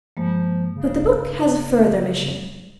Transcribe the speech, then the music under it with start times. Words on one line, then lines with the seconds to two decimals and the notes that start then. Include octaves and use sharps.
But the book has a further mission.
0.17 G2 F3 G#3 A#3
0.76 C#3